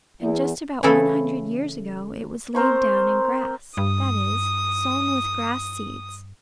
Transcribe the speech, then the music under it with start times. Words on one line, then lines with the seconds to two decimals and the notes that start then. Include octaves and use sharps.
And just about one hundred years ago it was laid down in grass; that is, sown with grass seeds.
0.21 E2
0.83 C#3 E3 A3 E4 A4
2.55 C4 A#4 C5 C#6
3.77 G2 D#6